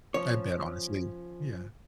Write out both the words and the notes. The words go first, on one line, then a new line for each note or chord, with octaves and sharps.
I bet, honestly. Yeah.
F3 C#4 C#5